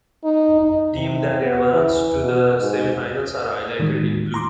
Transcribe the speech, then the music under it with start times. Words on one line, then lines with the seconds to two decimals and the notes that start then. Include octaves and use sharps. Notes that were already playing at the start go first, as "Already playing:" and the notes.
Teams that advanced to the semi-finals are highlighted in blue.
0.24 D#4
0.61 D#4
0.94 C3
1.43 B3
1.73 E3
2.22 B2
2.60 G#2
3.79 A2 D#3 E3 G#3
4.34 A#5 C6 D6